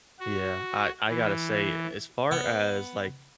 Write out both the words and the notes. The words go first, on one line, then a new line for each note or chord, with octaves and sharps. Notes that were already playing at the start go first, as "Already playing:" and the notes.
Yeah, I I gotta say, as far as, like,
F#4
E3
B3